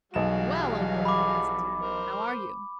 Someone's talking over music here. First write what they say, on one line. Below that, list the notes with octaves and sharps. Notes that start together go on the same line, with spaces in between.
"Well, old boy!" he asked, "how are you?"
B1 E3 F#3 G3 F#4 G#4 F5 E7
B5 D6
A#4 C5